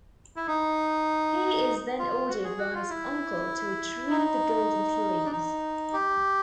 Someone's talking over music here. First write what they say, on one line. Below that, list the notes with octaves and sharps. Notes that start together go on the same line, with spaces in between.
He is then ordered by his uncle to retrieve the golden fleece.
E4
D#4
F4
F#4
G#4
F#4
F4
E4
D#4
D4
D#4
G4